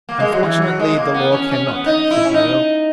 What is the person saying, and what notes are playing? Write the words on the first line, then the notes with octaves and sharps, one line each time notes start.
"Unfortunately the law can not," said the Earl.
A#3
G#3
F#3
E3
F#3
G#3
A#3
B3
C#4
C#4
B3
D#4
E4
C#4
D#4